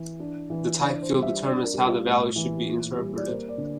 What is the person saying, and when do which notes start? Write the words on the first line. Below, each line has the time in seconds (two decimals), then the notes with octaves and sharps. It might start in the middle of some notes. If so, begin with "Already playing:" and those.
The type field determines how the value field should be interpreted.
Already playing: E3
0.20 D4
0.50 E3
0.81 D4 D5
1.02 C5
1.12 G3
1.23 E5
1.43 D4 D5
1.64 A#4
1.74 G3
1.84 F4
2.05 A2
2.36 E3
2.66 A#2
2.97 G3
3.16 D5
3.27 A#3 C5
3.48 D5
3.58 D3